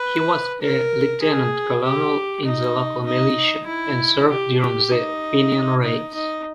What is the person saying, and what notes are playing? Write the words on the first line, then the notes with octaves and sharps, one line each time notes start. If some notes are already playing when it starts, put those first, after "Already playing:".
He was a lieutenant-colonel in the local militia and served during the Fenian raids.
Already playing: B4
A#4
G#4
G4
D#4
D#4
E4
G4
G4
D#4
D#4
D#4